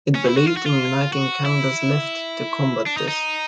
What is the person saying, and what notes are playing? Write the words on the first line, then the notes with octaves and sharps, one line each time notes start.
It believed in uniting Canada's left to combat this.
C#4
E4
F#4
F4
F#4
F4
F#4
E4
D4
D#4
D#4